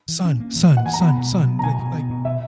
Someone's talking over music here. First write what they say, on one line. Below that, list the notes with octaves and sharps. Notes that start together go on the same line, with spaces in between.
Son, son, son, son, like like,
E3
C#4
A#3
E3
A#3
F#5
E3 G#5
A#5
B3 B5
B2
F#3
B3
A#5
B2 G#5
B2
B3
B2
B2 E5